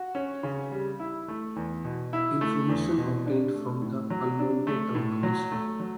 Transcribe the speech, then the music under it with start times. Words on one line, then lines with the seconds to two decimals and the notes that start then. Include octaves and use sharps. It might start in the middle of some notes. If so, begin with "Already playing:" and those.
Information obtained from the Almonte Town Council.
Already playing: F#4
0.15 C#4
0.43 C#3
0.71 G3
1.00 E4
1.28 A3
1.56 E2
1.85 B2
2.13 E4
2.41 A3
2.69 E2
2.97 B2
3.26 D4
3.54 A3
3.82 A2
4.10 F#3
4.39 D4
4.67 A3
4.95 A2
5.23 F#3
5.52 A3
5.79 F#3